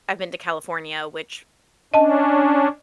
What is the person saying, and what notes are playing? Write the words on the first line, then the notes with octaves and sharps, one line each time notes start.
I've been to California, which,
C#4 D4 D#5 A5